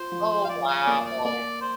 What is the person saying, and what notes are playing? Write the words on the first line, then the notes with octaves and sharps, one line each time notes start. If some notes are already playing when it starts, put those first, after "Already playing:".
Oh wow! Oh,
Already playing: F4 C5
F3
F5
F3 D5
F5
A#3 D5
D5
A#3 D5
C5